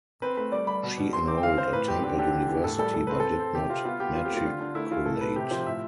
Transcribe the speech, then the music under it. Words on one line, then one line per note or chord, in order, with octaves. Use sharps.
She enrolled at Temple University but did not matriculate.
C4 B4
A3 B4
G3 D5
G3 B5
B2
B2
C4 C6
C4 D6
G5
E3 F5
E3 C5
A2 B4
C4 G4
D3 G4
D3 G4
E3
E3
A2 A4
G3 A4
A2 A4
C4 B4
C4 A4
C4
C3 G4
C4 F4
B3 F4
B3 G4
C4 F4
A3 G4
F4
D3
D3
A3 E4
E3 F4
A2 A4
A2 B4
C3 G4
F3 C5
A2 E5